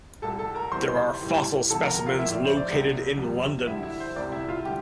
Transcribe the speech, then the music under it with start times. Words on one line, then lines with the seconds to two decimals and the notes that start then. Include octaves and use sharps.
There are fossil specimens located in London.
0.22 C2 A#2 G3 A4 A5
0.38 A4 A5
0.55 A#4 A#5
0.72 D2 C3 E3 G3 C5 C6
1.21 A2 E3 G3
1.70 D2 C3 F3 A4 A5
1.82 A#4 A#5
1.94 A#4 A#5
2.07 F4 F5
2.19 F3 E4 E5
2.22 A2
2.31 D5
2.45 C5
2.57 D5
2.68 C2 C3 G3
3.18 F2 C3 G3
3.67 D2 D3 G3 E4 E5
3.83 E4 E5
4.00 C5
4.16 C2 C3 G3 D5
4.32 E4 E5
4.49 F4 F5
4.65 D3 G3 G4 G5